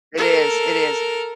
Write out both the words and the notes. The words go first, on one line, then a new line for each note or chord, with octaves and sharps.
It is, it is
A4 A#4